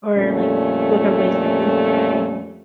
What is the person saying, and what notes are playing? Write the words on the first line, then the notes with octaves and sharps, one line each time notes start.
or, like, what are ways that you've tried
F2 A#2 G3 A3 C#4